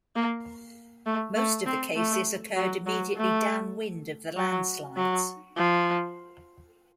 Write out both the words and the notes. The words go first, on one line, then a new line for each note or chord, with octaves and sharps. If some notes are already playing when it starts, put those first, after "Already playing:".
Most of the cases occurred immediately downwind of the landslides.
A#3
A3
A3
C4
A3
F#3
F#3
A3
F#3
F#3
F3